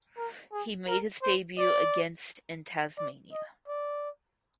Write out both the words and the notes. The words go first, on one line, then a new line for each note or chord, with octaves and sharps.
He made his debut against in Tasmania.
A#4
G#4
A#4
C5
D5
D5
D#5
D5